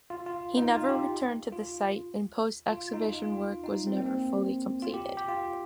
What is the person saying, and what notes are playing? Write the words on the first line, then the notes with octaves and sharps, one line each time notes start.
He never returned to the site and post-excavation work was never fully completed.
F4
F4
D#4
F4
G4
F4
F4
D#4
F4
F4
D#4
C4
A#3
C4
F4
G4
G4
F4